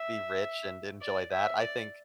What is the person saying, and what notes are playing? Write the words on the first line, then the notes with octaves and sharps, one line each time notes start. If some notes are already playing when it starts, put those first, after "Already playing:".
be rich and enjoy that. I think
Already playing: E5
D5
E5
D5